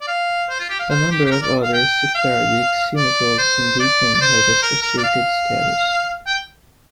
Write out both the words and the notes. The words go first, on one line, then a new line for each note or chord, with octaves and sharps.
A number of other Sephardic synagogues in Britain have associated status.
D5
F5
C5
F4
G4
F5
C5
G4
G4
A#4
D5
F5
G5
F5
D5
C5
D5
D5
C5
A#4
A#4
D5
F5
G5